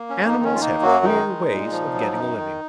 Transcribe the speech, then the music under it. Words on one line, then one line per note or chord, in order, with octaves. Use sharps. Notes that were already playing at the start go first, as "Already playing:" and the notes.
Animals have queer ways of getting a living.
Already playing: A#3
C#4
F2
D#4
D#3
C#4
F4
A#3 D#4
F#2 F#3 F#4
D#3 D#4
G#3
A#2
F3
F#3
F#2
D#3